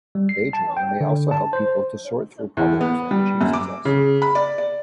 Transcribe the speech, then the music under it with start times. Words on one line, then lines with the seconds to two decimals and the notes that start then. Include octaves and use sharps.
Daydreaming may also help people to sort through problems and achieve success.
0.15 G3
0.29 C7
0.53 A5
0.77 G5
1.01 D3
1.31 A5
1.53 C5
2.57 E2
2.81 B3
3.11 G3
3.41 F#2
3.53 D6
3.85 C#3
4.22 B5
4.35 D5
4.58 D5